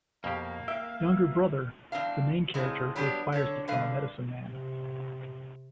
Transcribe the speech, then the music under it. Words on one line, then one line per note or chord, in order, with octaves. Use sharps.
Younger Brother - The main character, who aspires to become a medicine man.
F2 B2 A#3 G4 F5
E5 G5
E2 G3 C4 D4 F5
A2 C#3 G#3 C4
F#3 G3 B3 D4 G4
D3 A4 C#5
D3 G3 B4 F5
C3